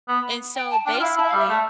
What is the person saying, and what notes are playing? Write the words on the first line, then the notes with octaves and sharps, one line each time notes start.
And, so, basically
B3
G5
A5
D4 G5
F4
E4 F5
E4 A5
E5
F5
G3
E5
A3 A5